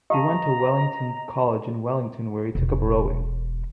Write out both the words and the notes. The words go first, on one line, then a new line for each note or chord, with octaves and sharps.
He went to Wellington College in Wellington where he took up rowing.
G4 D#5 F5 A5 A#5
E1